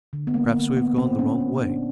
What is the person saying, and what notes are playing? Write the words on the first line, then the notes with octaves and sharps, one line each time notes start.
"Perhaps we have gone the wrong way."
D3
B3
G3 A#3
D3
A#3 B3
A#2 C4
A#3 C#4
A#2
A#3 D4